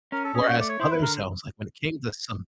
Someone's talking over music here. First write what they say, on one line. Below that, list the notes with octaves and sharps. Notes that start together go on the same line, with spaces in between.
whereas other selves, like when it came to some
C#4 A#4
A4
C#4 G#4
F#4
A3 D5
C#5
E4 C5
B4
D3 A#4